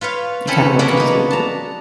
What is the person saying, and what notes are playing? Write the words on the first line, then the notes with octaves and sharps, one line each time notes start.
and kinda what comes with it.
F4 B4 C#5 F5
C4 C#4 E4 A4 B4 C#5
A#3 B3 E4 F#4 G#4
D#4 B4
D4
A5 A#5